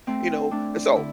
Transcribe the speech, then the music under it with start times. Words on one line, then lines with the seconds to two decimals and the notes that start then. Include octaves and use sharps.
you know, and so,
0.07 A3 C4
0.51 A3 D4
0.96 D3 E4